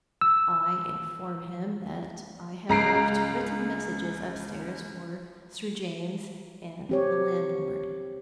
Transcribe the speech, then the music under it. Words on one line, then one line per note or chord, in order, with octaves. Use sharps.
I inform him that I have left written messages upstairs for Sir James and the landlord.
E6
C#2 A#5 C7 D7
C4 G4 C#5